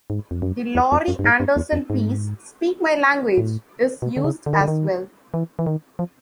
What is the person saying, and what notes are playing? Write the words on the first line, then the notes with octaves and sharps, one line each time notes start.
The Laurie Anderson piece "Speak My Language" is used as well.
G#2
F2
F#2
E2
F2
F#2
G2
G#2
G2
E2
F2
G#2
A2
B2
D3
C#3
D3
D#3
D3
D#3
E3
E3
D#3
F3